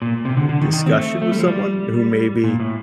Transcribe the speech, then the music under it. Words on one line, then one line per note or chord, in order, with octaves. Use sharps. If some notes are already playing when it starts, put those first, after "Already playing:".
uh, discussion with someone who maybe
A#2
C3
D3
D3
D#3
D#3
C4
A3
A3
G3
F3
G3
A#2
A2